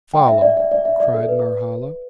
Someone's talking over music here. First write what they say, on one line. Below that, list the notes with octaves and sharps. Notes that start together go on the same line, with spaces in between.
"Follow," cried Norhala.
G5
E5
D5
D5
D5
E5
D5
A4
B4